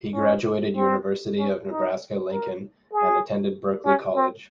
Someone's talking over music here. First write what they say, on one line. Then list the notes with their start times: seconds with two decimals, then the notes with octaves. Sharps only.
He graduated University of Nebraska-Lincoln and attended Berklee College.
0.15 C#4
0.77 C4
1.39 C#4
1.70 D#4
2.31 A#4
2.93 G#4
3.86 C#4
4.17 C4